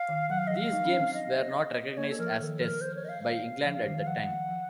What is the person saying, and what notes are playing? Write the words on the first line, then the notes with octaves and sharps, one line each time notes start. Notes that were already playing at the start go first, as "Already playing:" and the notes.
These games were not recognised as Tests by England at the time.
Already playing: F5
D#3
F#3 F#5
F5
F3 D#5
F5
D#4
C#4
C4
D#5
A#3 C#5
A4
F3 A#4
D#3 A4
F3 A#4
C5
C#5
D#5
F5
F5
F3
D#3
F5
F3 F#5
F3